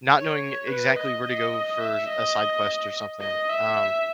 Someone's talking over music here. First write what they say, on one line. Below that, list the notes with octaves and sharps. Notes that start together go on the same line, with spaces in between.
not knowing exactly where to go for a side quest or something, um,
C#5
B4
D#5
D#5
E5
D#5
D#5
E5